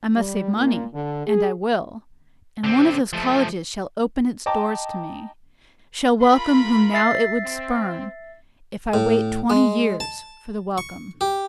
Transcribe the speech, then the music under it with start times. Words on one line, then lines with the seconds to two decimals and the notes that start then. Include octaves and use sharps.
I must save money, and I will; and one of those colleges shall open its doors to me--shall welcome whom now it would spurn, if I wait twenty years for the welcome.
0.16 G3
0.56 A#2
0.93 D3
1.27 G#4
2.64 D3 C4
3.13 F3 A3
4.46 D#5 G5 A5 A#5 D6
6.20 F4 A#4 B5
6.94 E5 A6 C7
7.44 C4
8.94 A2
9.50 G#3
10.00 A5
10.78 C#6
11.21 G4